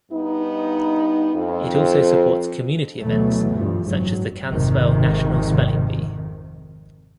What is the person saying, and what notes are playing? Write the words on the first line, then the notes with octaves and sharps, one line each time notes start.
It also supports community events such as the Canspell National Spelling Bee.
G2 B3 D#4
F2
D2 B2 E3 F#3 A3
G2 F3
F#1 G#2 F#3
G#1 F2 C3 D#3